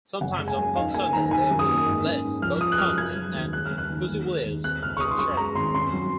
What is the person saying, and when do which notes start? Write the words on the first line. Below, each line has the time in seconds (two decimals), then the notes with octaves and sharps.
Sometimes, on Palm Sunday they will bless both palms and pussywillows in church.
0.21 F#1 F#5
0.39 G#3
0.48 G#5
0.58 F#2
0.76 D#4 F5
0.94 A#3 G#5
1.13 D#3 A#5
1.31 D#3 G#5
1.50 F#2
1.59 D#6
1.68 A#3
1.86 G#2
2.06 C#4
2.24 G#2
2.42 F3 F6
2.61 F4 D#6
2.72 F#6
2.78 F#2 F6
2.97 C#3 G#6
3.16 F#3
3.34 D#2
3.53 G#3 F#6
3.66 F6
3.71 C#3
3.78 F#6
3.90 D#2
4.08 D#2
4.26 G#3
4.45 D#2
4.64 C4 F#6
4.82 C#2 F6
4.97 C#6
5.00 C#3 D#6
5.11 C6
5.19 F#2 C#6
5.37 G#3 A#5
5.55 G#1 C6
5.75 C#4 C6
5.93 F#3